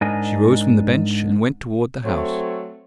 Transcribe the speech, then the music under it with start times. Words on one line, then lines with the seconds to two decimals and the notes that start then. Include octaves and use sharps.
She rose from the bench and went toward the house.
0.01 G#2 D4 A#4 D#5 G#5
2.04 F#3 A3 C4 A4 C#5